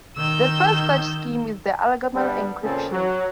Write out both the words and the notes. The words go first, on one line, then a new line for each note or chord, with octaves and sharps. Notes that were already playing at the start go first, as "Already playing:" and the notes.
The first such scheme is the ElGamal encryption.
D#3 E6 G6
D2 G3 B3 D4
A#2 C#3 C4 C#4 G#4 A4
F#3